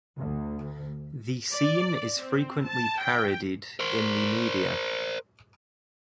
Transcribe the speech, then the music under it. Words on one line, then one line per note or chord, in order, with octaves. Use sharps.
The scene is frequently parodied in the media.
D2
D5
C4
A5
G5
A#4 C5